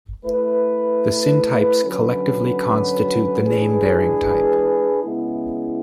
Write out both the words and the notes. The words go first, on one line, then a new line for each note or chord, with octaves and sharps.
The syntypes collectively constitute the name-bearing type.
A3 E4 B4
D3 F#3 C#4 F#4 B4
E3 G#3 D4 G#4 B4
C#3 G#3 B3 E4